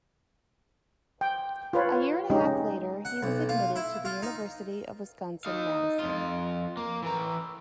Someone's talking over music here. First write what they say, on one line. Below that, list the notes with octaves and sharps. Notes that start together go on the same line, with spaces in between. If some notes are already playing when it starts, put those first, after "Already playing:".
A year and a half later he was admitted to the University of Wisconsin-Madison.
G5
F4 B4 C#5
G#3 C#4 D#4 G4
F#5
B1
F4
E4
F4
D#4
D#4 F5
F2 F4
A#3
E3 A#5